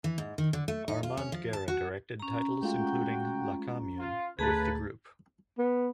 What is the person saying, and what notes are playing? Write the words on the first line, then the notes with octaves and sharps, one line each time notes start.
Armand Guerra directed titles including "La Commune" with the group.
E3
G#2
D#3
D3
A3
D#4
F4
C#4
F3
A5
F#4
C#4 A#5
G#3 A3 F4 F#4 G5
F4
D2 C#3 A3 G#4 B4 A5 A#5 A6
B3